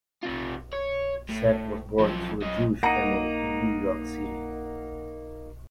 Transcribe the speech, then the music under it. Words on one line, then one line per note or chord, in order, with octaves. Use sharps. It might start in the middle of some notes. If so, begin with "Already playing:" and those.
Sack was born to a Jewish family in New York City.
C3 F4
C#5
A2
F#2 F3
F#2 D#5
A#3 D#4 F#5 A#5